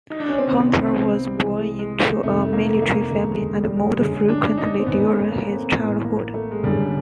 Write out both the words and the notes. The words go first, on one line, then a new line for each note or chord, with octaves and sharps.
Hunter was born into a military family and moved frequently during his childhood.
D#4
D4
C#4
C4
C2 C3 D#3 B3
C4
C4
B3
G3
C2 C3 E3 G#3
G#3
G#3
A3
F1 F2 C3 D#3 A3
A3
A#3
A3
A#3
E1 D2 C#3 A3
G#3
G3
G3
G#3
G1 F#2 D3 G#3
D4
D#4
C4
G#1 F#2 D#3 B3
A3
A#3
C4
A1 A2 E3 B3
A#3
A3
G#3
G#1 F#2 D3 G3